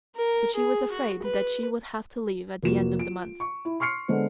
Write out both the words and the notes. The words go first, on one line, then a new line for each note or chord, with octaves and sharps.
But she was afraid that she would have to leave at the end of the month.
A#4
G#4
F#4
B4
F1 A#3 F4 F#4 E7
F4 D7
C#6
E4
C6 C#6 F6 C7 C#7
D3 G#3 B3 C5